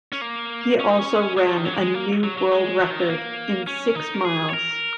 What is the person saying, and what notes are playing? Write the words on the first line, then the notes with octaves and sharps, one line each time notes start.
He also ran a new world record in six miles.
C#4
A#3
C#4
D#4
C#4
G#3
F#3
D#3
F#3
A#3
G#3
A#3
F#3
F#3
G#3
F#3
D#3
F#3
A#3
C#4
D#4
A#4
G#4
C#5
A#4